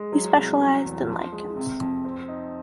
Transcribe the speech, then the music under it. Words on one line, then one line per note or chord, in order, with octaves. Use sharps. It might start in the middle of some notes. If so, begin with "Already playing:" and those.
He specialized in lichens.
Already playing: G#3
F#3
C2
F#3
E2
F3
G#3
C3
F2
C4
D#4